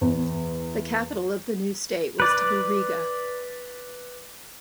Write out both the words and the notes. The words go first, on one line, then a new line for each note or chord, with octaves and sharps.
The capital of the new state was to be Riga.
E2
B4 D5